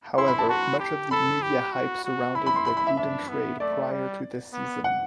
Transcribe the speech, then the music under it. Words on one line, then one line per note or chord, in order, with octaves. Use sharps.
However, much of the media hype surrounded the Gruden trade prior to the season.
E4 C6
B5
A5
F#4 A5
G4
A4 B5
G4
F#4
F#4
E4 B5
B5
C6
B5
B5
E5
D4 E5
B3
A3 D5
G3
B3
F#5